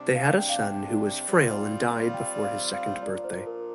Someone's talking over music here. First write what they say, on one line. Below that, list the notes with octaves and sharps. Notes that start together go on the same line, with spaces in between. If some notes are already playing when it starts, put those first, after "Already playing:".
They had a son who was frail and died before his second birthday.
Already playing: C3 G3 D4
F5
G5
F5
G5
G3 C4 F4
F5
G5
D5
F5
F5
A#2 F3 D4 D5
C5
A#4